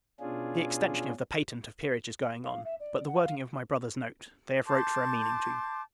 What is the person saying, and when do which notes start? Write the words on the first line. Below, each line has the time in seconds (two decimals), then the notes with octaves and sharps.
The extension of the patent of peerage is going on; but the wording of my brother's note, they have wrote for a meaning to.
0.20 B2 C#4 D4 F4 G#4
2.44 F5
2.64 E5
2.80 D5
3.06 F#5
3.23 F5
4.66 A5 C6 D6 G6